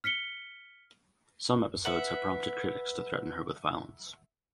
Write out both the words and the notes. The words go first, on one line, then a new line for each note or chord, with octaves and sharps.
Some episodes have prompted critics to threaten her with violence.
F6 B6 C#7 G7
B4 E5 F#5